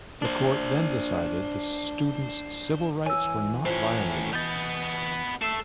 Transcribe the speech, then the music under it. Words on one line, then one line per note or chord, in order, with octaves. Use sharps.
The court then decided the students' civil rights were not violated.
D4 C5
E3 C#5 G#5 E6
A2 C#4 F4 C5
B3 D#5 G6 A6
A3 A4 E6 C7 E7